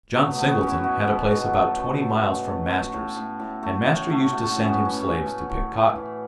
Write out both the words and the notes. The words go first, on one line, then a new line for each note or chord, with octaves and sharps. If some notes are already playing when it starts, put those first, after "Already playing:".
John Singleton had a place about twenty miles from master's, and master used to send him slaves to pick cotton.
F#3 A3
B3
A3
B3
F#3 C#4
E4
B2 F#4
B2
B2
A3 A4
B2
A3
B2
A3
A3
F#4
A2 A4
A2
A2
A3
A2
A3
A3 F#4
A4
F#4
A2 C#4
B3
A2
C#4
A2
A3
A2
A3
E3